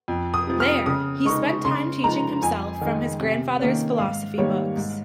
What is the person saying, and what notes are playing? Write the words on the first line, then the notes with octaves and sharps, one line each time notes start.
There he spent time teaching himself from his grandfather's philosophy books.
F2
D#6
C3 F3
F6
C#3 D#6
G#3 D#4 C#6
C#3 C6
F3 G#3 D#4 A#5
F2 G#5
D#3 G#3
C3
D#3 A#3 C#4
G#2 F5
D#3 G3 A#3 C#5
G#2